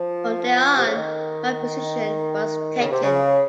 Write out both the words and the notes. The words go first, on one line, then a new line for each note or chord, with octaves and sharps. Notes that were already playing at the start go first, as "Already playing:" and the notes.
From then on, my position was taken.
Already playing: F3
C3
C#3
D#3
C#3
C3
C#3